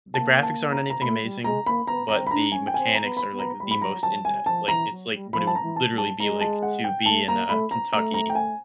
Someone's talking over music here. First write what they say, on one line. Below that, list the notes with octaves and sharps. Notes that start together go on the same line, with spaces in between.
the graphics aren't anything amazing, but the mechanics are, like, the most in depth, like, it's, like, what it would literally be, like, to be in, uh, Kentucky
A#3 A5
A5
A#5
A#5
A3 B5
G3
G#3 A#5
A#3 B5
B3 A#5
C4 A#5
B5
D4 A#5
C#4 G#5
G5
C4 G#5
A#5
B3
B5
B3
A#5
G3 B5
B5
F#3 A#5
F#3 A5
G3 G#5
F3 A5
E3 A#5
F#3
G3
F3 B5
A5
A#5
E3
A5
G3
A5
G#3 A#5
A5
F#5
G5
A3 A5
A#3 A#5
A3 B5
A#5
A3 A#5
A#5
G5
G#5